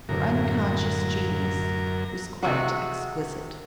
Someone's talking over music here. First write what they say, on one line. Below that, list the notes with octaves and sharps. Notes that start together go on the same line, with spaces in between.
Her unconscious genius was quite exquisite.
F#2 A2 D3 A#4
C3 G#3 F#4